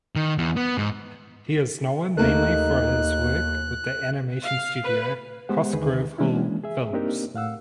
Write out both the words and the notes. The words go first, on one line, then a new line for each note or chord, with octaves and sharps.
He is known mainly for his work with the animation studio Cosgrove Hall Films.
D#3
E2
B3
G#2
D#2 A3 A#3 D#4 F#6
F5
B4
G#3 B3 G4 C5 F#5
D#2 D3 D#3 D#4 G#4 B4
E3 G#3 A#3 C#4 D4 E4
G#4 E5
A#3 C4 D4 D#4 G4 A#4
A2 F5 F#5 E6